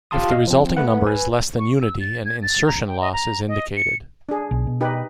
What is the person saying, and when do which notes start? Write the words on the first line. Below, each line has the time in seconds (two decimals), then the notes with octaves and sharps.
If the resulting number is less than unity, an "insertion loss" is indicated.
0.11 F4 G4 F5 A5 C6 D#6
0.30 B2 D#5 F5
0.47 F3 C4
0.77 A3 B4 F#5
1.06 B4 G#5
1.59 C#6
1.81 E6
2.00 A6
2.25 G#6
2.43 A6
2.67 A#5
2.87 G5
3.01 D#5
3.13 A#5
3.48 D#5
3.77 C#7
4.29 D4 G#4
4.51 B1
4.67 B2
4.81 D#4 G4 B4